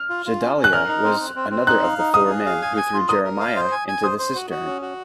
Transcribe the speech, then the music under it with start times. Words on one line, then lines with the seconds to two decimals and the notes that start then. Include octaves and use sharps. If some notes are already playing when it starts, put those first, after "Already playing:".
Gedaliah was another of the four men who threw Jeremiah into the cistern.
Already playing: F6
0.10 F4
0.26 F4
0.41 C#4
0.57 C#4
0.64 F#6
0.72 A#4 F6
0.88 D#4
1.04 C4
1.20 C4
1.36 C4
1.51 C4
1.67 D#4 F#6
1.83 F5
1.98 D#4
2.14 F5 D#6
2.30 G#4
2.46 F5
2.62 G#5
2.77 G#5
2.94 F4
3.09 A#4 D#6
3.24 A#4
3.40 F5
3.56 C5
3.72 G#5
3.88 G#5
4.03 C5 D#6
4.18 C5
4.35 F#4
4.50 F#4
4.66 C#4
4.82 F#4